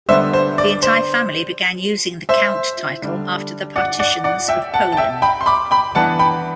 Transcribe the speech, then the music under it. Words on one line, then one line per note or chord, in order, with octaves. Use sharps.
The entire family began using the Count title after the partitions of Poland.
D3 G3 B3 D4 C5 E5
C5
D5
C5
C5 E5
D3 G3 D4
D5 F#5
D5 F#5
D5 F#5
E5 G5
F#5 A5
A5
E5 G5
G5 B5
C6
B5 D6
G5 B5
E3 B3 D4 F#5 A5
G5 B5